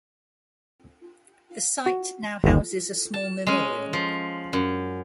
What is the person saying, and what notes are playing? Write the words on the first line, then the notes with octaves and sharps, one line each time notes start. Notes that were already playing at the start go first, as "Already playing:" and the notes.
The site now houses a small memorial.
F#4
G1 D#2
A5
G#3 C#4
F3
F#2